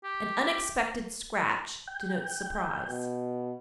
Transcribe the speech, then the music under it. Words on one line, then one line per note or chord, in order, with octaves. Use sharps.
An unexpected scratch denotes surprise.
G4
G5
B2